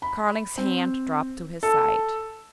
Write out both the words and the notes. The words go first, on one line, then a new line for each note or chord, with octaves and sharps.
Carling's hand dropped to his side.
B5
C4
A4